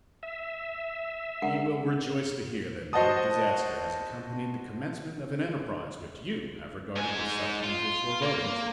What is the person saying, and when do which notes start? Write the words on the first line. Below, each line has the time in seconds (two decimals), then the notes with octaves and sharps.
You will rejoice to hear that no disaster has accompanied the commencement of an enterprise which you have regarded with such evil forebodings.
0.23 E5
1.42 G#3 D4 A#4 F#5
2.93 F#4 C5 D#5 F#5 A5 D#6
6.96 G#2 G#5
7.63 F4
8.22 A#3